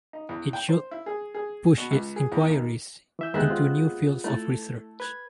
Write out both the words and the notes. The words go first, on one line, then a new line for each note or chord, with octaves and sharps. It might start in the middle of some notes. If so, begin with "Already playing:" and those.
It should push its inquiries into new fields of research.
D#4
E2
G5
C5
E4
G#4
G#4
B2
C#2
G#4
E2
D#2
E3 E5 G6
D#2 G#3 B3 G4 G#4 E5
C4 F4
A3 E4 A4
B4 G#6